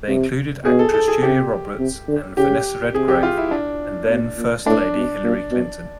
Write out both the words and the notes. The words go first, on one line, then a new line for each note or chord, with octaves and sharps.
They included actresses Julia Roberts and Vanessa Redgrave and then-First Lady Hillary Clinton.
C3
B2 G#4
A4
A4
G#4
C3 G4
C3
D3
C#3 G4
C3 G#4
G4
F4
E4
D4
B2
A#2
A2 D4
B2
A#2
B2